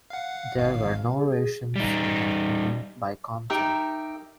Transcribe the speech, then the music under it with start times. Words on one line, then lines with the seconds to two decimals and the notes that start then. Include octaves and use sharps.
There were no rations in an innings by Compton.
0.10 F5 F#5
0.58 G#1 F5
1.16 G#4
1.76 G3 D#4
3.50 D#4 G4 A#4 E5